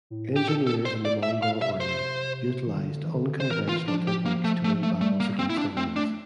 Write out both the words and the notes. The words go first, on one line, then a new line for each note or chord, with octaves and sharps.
Engineers in the Mongol Army utilized unconventional techniques to win battles against enemies.
A2
A2 G4
A#2 A4
A4
C5
D5
A#2 E5
F5
C3 E5
C5
E3
D3
E3
D3
C5
E3 A#4
F4
F3 D4
G4
A#3
A3
A3
A3
F3
G3 A3
A#3
A#3 C4
E4
D4
G3
A3 C4
A3 D4